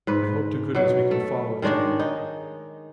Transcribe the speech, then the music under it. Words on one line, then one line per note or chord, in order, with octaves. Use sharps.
I hope to goodness we can follow it to-morrow.
G#2 B4
B2 F#3
A3
D#3 G#3 D4 C#5
D#4